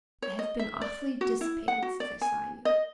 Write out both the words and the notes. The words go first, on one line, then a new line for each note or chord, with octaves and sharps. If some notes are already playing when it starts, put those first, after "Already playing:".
'I have been awfully dissipated since I saw you.'
C#5
D#5
E5
D5
F#4
E4
F#5
F#4
D5
G#5
D#5